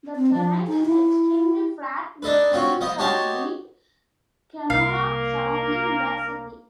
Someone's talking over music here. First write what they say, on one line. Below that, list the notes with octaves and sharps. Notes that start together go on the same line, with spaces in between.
The terrain is extremely flat with fields of wheat and canola surrounding the city.
C4
F3
D#4
E4
D4 D#4 A4 B4
C4 C#4 F4 F#4
F3 B3 D#5
D#4 F#4 G4 C#5 A5 C6
C2 A#3 A#4 F5